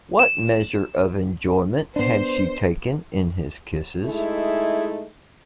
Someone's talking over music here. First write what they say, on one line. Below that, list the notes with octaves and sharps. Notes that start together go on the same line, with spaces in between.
What measure of enjoyment had she taken in his kisses?
E7
B3 D4 C5
G#3 A3 D#4 E4 G#4